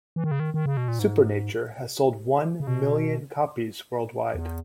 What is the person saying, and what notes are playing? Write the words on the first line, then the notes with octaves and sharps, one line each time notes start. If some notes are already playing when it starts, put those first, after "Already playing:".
"Supernature" has sold one million copies worldwide.
E3
D#3
C#3
D#3
D#3
C#3
B2
A#2
G#2
C#3
B2
E2